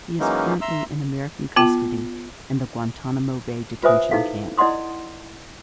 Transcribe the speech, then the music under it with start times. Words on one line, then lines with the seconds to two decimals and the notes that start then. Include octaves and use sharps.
He is currently in American custody in the Guantanamo Bay detention camp.
0.19 E3 F#3 G#3 A#3 C#4 D#4
0.61 E5 A#5 C6 E6
1.56 B3 F4 G5
3.83 F4 B4 C5 E5 G#5 D#6
4.11 D#4 E4 A4 F5
4.58 E4 D5 D#5 F#5 C6 D#6